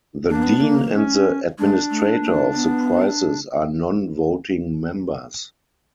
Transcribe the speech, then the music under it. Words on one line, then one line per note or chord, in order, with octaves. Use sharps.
The dean and the administrator of the prizes are non-voting members.
A#3 D4
B3
B3
A#3
C#4
G#3 D4
A3
A#3
B3